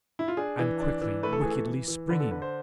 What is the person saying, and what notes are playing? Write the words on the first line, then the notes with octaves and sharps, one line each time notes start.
And quickly, wickedly springing!
E4
F4
D4 G#4
E3
D4
E3
A3 B4
A4
E3 G#4
A4
E3
E3
D3 B4
A4
D3 B4
C5